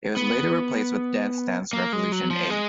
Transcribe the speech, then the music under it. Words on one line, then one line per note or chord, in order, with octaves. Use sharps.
It was later replaced with Dance Dance Revolution A.
B3
A#3
G#3
F#3
F3
G#3